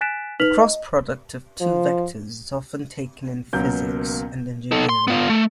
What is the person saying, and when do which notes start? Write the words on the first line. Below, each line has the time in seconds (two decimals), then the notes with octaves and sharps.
The cross product of two vectors is often taken in physics and engineering.
0.01 G#5 F#6 A6 B6 D7 E7
0.40 D#4 B4 F6 B6 F7 F#7
0.58 D#5
1.61 F3
3.53 C#2 B2 F#3 A#3 A#4 G6
4.72 D#4 A4
4.89 C6
5.08 B3 F4
5.29 A3